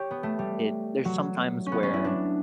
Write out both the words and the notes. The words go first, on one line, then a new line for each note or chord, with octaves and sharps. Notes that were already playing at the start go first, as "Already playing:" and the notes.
it there's sometimes where,
Already playing: G4 C#5
B3
A3
G3
F#3
C#4
B3
C#4
E4
D4